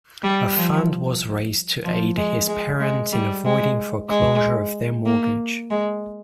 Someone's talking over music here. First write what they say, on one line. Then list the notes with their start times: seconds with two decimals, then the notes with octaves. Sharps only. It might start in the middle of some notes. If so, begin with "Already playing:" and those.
A fund was raised to aid his parents in avoiding foreclosure of their mortgage.
0.24 G3
0.56 F3
1.84 F3
2.17 G#3
2.48 G#3
2.80 G#3
3.13 G3
3.45 G#3
4.10 G#3
5.06 A#3
5.71 G#3